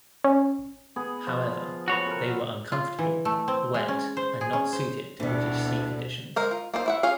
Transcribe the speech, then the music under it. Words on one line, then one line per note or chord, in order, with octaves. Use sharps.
However, they were uncomfortable, wet and not suited to British sea conditions.
C#4
B3 G#4
F3
F#4 B4 C#5 A5
A4 A#4
F4
E3
A3
C4
G#3
C#4
C5
G#4
C#4
C5
D2 B2 E3 G3 D4
G#3 A#4 C5
F4
A#3 D#4 C5
E4 E5 F#5
C#4 F4 G#4 F5